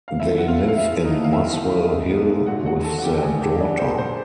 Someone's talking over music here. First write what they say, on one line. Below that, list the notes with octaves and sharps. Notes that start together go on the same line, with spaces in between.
They live in Muswell Hill with their daughter.
F5
C#3 E4 E5
C#3 F#5
F4 F5
B3
F5
G#3 E4 E5
F3
D#4 D#5
F3
F5
B3 E4 E5
F3
F3
G#3
B3
G#3
A#2 F#4 F#5
F#3 F#4 F#5
A#3 A4 A5
F#5
F#3 G4 G5
G5
A#2 G#4 G#5
A#2 G4 G5
A#2 D4 D5
F#3 C5
A#3 C5